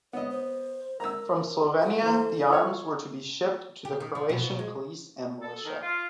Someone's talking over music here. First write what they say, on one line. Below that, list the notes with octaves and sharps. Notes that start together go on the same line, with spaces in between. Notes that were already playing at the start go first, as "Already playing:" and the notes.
From Slovenia the arms were to be shipped to the Croatian police and militia.
B3 C#5 D#5
C5
A#4 A#5 E6
F#4 A4
E3 C5
F4 C#5
G4
D#3
F3
B2
B2
G#3
A4
D#3
F4